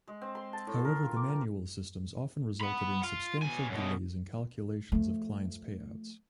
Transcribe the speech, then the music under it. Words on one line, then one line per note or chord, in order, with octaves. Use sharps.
However the manual systems often resulted in substantial delays in calculations of clients' payouts.
G#3
C4
C6
A5
A2
A#4
F4
D6
A#4
F#5 B5
F4
B2 G#5
F#2 B2
F3 A3